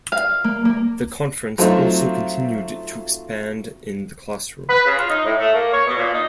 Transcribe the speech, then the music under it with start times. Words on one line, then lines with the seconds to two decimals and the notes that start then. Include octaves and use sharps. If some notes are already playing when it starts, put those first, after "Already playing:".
The conference also continued to expand in the classroom.
0.12 F5
0.44 A#3
0.65 A#3
1.58 F#3 A3 C4 D#4 F4
4.69 B4
4.85 C#3
4.98 F4
5.09 D#4
5.25 A2
5.39 A3
5.54 A#3
5.72 C#5
5.86 B2
5.98 A#2
6.14 D#4